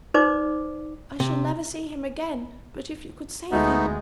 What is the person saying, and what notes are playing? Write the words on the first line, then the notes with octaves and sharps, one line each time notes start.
I shall never see him again; but if you could save him!
D#4 B4 C5 D5 D6
C3
D2 G#3 A3 B3 D#4